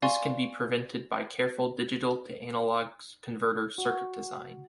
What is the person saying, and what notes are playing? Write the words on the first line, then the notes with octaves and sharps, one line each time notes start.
This can be prevented by careful digital-to-analog converter circuit design.
D5 F5 G#5 C6 C#6
F#4